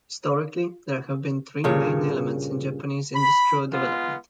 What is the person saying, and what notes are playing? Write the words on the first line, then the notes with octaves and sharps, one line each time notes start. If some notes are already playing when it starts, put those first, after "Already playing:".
Historically, there have been three main elements in Japanese industrial development.
G2 A#2 C#3 C#5
B5
G#3 B3 F4